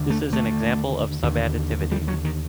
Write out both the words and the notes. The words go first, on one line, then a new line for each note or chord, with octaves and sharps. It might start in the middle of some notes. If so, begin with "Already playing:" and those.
This is an example of subadditivity.
Already playing: D#2 D3
A3
A3
D#2 D3
G3
F#3
D#3